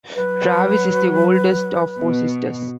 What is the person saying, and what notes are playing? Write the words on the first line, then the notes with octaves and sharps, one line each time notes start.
Travis is the oldest of four sisters.
F#3 B4
B2